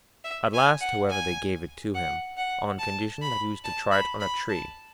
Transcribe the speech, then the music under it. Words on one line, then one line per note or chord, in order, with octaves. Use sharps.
At last, however, they gave it to him, on condition that he was to try it on a tree.
E5
G#5
F#5
G#5
F#5
F#5
A5
B5
A5
B5
B5
A5